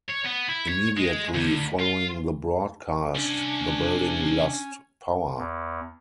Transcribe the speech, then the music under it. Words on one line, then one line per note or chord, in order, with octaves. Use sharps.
Immediately following the broadcast, the building lost power.
C#5
B3
E4
C#5
G#3
D2
F4
C2 C#4 D4
E2